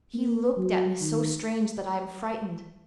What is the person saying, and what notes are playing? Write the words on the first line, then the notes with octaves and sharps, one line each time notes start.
He looked at me so strange that I am frightened.
A#3
F#3
D#3